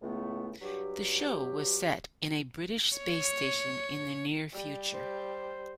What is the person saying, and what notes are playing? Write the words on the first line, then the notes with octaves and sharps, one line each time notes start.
The show was set in a British space station in the near future.
C#2 A2 A3 B3
G2 F#3 G4
C#5
G3
C5